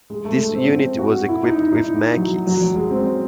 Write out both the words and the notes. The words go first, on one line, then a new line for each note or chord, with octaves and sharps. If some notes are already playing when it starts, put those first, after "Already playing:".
This unit was equipped with Macchis.
G#3
A3
A3
C4
C4
F#4
E4
D#4
D#4
D#4
E4
F#3
F#3
F#3
G#3
C4
C#4